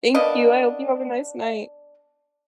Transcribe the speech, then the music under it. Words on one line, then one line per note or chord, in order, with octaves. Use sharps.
Thank you, I hope you have a nice night.
A#3 B3 D4 D#5